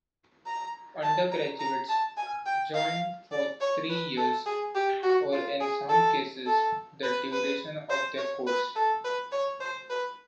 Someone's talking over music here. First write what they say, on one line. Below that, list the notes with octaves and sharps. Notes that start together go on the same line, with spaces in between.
Undergraduates join for three years, or in some cases the duration of their course.
A#5
A5
A#5
A#5
A5
G#5
G5
F5
D5
C#5
B4
A4
G#4
G4
F#4
F4
G#4
A4
A4
B4
B4
C5
C#5
B4
A4
B4
C#5
C5
B4